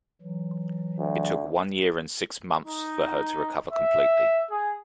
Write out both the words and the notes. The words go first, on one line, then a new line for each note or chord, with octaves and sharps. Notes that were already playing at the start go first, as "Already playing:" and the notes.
It took one year and six months for her to recover completely.
E3 F#3
D2
D#4
E5
G#4